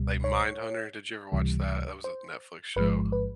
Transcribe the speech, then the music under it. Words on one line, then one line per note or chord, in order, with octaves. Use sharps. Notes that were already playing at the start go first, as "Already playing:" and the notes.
like Mindhunter, did you ever watch that? That was a Netflix show.
Already playing: C#2 B2 G3
C#5
C#2 C3 E3 G3
C5
A1 G#2 F3 G#3 B4
B4